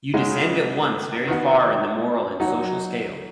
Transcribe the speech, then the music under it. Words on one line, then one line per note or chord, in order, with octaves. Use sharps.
You descend at once very far in the moral and social scale.
C#3 G#3 D#4 F#4
D#3 B3 D#4 F#4
F#3 D#4 F#4